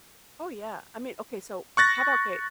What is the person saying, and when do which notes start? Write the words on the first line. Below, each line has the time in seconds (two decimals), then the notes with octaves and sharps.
Oh, yeah. I mean, okay. So how about, 'kay
1.77 C#6 F#6 A6 A#6